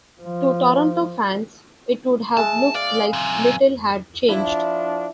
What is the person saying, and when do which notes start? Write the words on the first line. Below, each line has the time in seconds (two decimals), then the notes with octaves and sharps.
To Toronto fans, it would have looked like little had changed.
0.22 F3
2.37 G#3 E5 A5
2.74 D5 F5
3.13 F#3 C4
4.29 F3 D4 E4